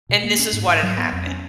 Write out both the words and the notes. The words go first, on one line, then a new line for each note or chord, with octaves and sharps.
and this is what had happened,
B2
A#3
C#4
G#2
G#2
F#3
B3
F2
C#4